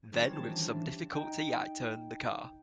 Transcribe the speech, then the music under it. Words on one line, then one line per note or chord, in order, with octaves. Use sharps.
Then with some difficulty I turned the car.
D#3 F#3 G3 C4 C#4 F4
A5
E3 D4
D#4 G5